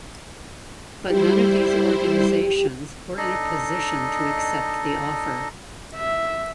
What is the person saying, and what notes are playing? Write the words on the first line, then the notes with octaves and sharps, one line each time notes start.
But none of these organizations were in a position to accept the offer.
G3 E4 G4 C5
D4 D#4 A4 D#5
E5